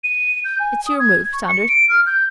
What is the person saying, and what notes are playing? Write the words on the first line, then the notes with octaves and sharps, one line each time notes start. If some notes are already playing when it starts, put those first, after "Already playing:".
It's your move, Saunders.
D#7
G6
G#5
D#6
G#6
C#6
C#7
D7
F6
G6